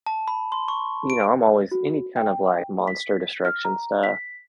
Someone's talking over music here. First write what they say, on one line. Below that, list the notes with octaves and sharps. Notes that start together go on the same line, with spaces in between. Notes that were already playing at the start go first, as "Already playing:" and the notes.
you know, I'm always any kind of, like, monster destruction stuff.
A5
B5
C6
C#6
D7
F#4
G5
B6
F6
A#5
B6